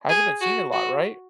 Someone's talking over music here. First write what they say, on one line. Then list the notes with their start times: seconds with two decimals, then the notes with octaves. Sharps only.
hasn't been seen a lot, right?
0.09 G#4
0.41 F#4
0.73 F#4